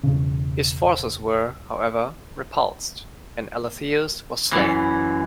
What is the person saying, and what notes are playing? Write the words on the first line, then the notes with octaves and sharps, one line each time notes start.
His forces were, however, repulsed, and Alatheus was slain.
E1 C#3
F#2 E3